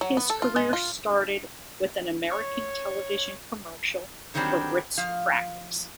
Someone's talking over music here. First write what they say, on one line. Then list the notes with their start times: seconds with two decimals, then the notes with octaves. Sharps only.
His career started with an American television commercial for Ritz Crackers.
0.01 F#3
0.17 B3
0.30 A4
0.42 F4
0.56 G#3
0.73 F4
2.31 C#5
4.34 D3 D#3 F#3 G3 C4 D4
4.97 F3 F5